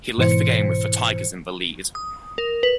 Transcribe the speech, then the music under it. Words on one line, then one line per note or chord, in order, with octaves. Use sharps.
He left the game with the Tigers in the lead.
G#2 B2 E3 C5 C#7
D#6
A#4
B4